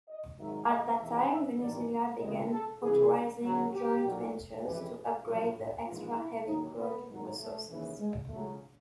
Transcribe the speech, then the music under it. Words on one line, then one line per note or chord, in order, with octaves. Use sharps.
At that time Venezuela began authorizing joint ventures to upgrade the extra-heavy crude resources.
D#5
G#1 G#2 D#3 F#3 E5
D#5
E2 C3 D#3 E5
E5
A1 G2 D#3 D5
C#2 C3 E3 D#5
A4
C2 C3 E3 G#4
D2 C#3 F#3
G4
B1 A#2 F#3
F2 C#3 E3 G4
A#1 A2 F#3 F4
A#1 G#2 E3 F4
E4
D#2 D#3 F#3 D#4
B3
G#1 G2 D#3 F#3
A3
D#2 C#3 E3
G#3
C#2 C#3 F#3 A3